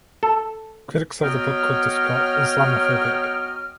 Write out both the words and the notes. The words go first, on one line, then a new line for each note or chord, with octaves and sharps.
Critics of the book called this plot "Islamophobic".
A4
F#3 B3 C#5 D#5 G5 F6